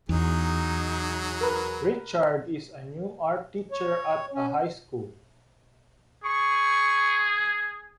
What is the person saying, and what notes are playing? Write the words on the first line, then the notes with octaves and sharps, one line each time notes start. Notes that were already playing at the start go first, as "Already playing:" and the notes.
Richard is a new art teacher at a high school.
E2 F#3 D#4 G#4
A#4 B4
C#5
C#4
G#4 C#6